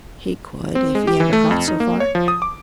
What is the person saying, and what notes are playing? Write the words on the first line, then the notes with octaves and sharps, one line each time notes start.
"He could--if he ever got so far."
C4
G#3
G4
E3
A3
F2
D#4
A#3
C#5
F3
D#6
D6